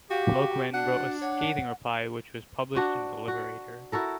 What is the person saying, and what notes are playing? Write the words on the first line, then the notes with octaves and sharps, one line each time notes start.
Loguen wrote a scathing reply which was published in "The Liberator".
F#4 G4 F5
D4 F#4 F#5
C#5 F#5
D4 F#4 C5
F#4
E4 F#4 A4 A#4